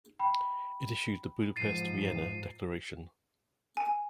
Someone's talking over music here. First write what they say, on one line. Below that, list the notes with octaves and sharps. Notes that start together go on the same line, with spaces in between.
It issued the Budapest-Vienna Declaration.
G5 B5
G#2 F3 A6 C7 D#7
G#5